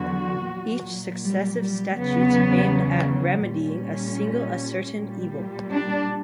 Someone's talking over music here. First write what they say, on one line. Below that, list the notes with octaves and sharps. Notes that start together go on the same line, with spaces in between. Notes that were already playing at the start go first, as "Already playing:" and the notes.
Each successive statute aimed at remedying a single ascertained evil.
Already playing: E2 D3 F#3 F#4
A#2 F#3
G3
G3
E2 C#3 F#3 B3
A#2 G3 C#4
A#2 G3
D4